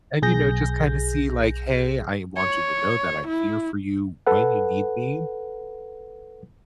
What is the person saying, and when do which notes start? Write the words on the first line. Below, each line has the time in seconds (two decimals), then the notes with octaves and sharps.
And, you know, just kinda see, like, "Hey, I want you to know that I'm here for you when you need me.
0.22 B1 G#4 G6 A#6
2.37 C#5
3.27 E4
4.27 A4 B4 F#5